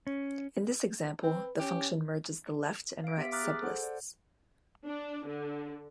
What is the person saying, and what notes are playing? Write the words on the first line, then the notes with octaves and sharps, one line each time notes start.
In this example, the function merges the left and right sublists.
C#4
C4 B4
C#4 G4
F5 D7
B3 G4 E5 B6
A#5 D6 D#6 F6 F#6 A6
G#4
A4 C5 F#5
D5
D4
D3